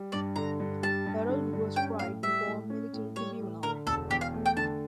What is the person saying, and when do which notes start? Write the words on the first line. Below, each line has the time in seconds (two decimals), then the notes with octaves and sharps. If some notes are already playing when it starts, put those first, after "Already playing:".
Herold was tried before a military tribunal.
Already playing: G3
0.12 G2 D5
0.36 D3 A#5
0.60 G2
0.83 G3 A5
1.06 G2
1.29 D3
1.53 G2
1.76 C#4 G5
1.99 A2 F5
2.23 G3 E5
2.46 A2
2.70 C#4
2.93 A2
3.16 G3 C#5
3.39 A2
3.63 D3 A#4
3.86 E1 A4
4.10 E2 G4
4.21 F5
4.34 A3
4.46 G5
4.57 D3 A5